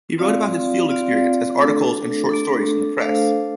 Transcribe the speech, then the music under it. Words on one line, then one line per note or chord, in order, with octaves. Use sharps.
He wrote about his field experience as articles and short stories in the press.
C4 F4 D5 F5
C4 F4 D5 F5
A3 D4 A4
A3 D4 A4
A3 D4 A4 C5 F5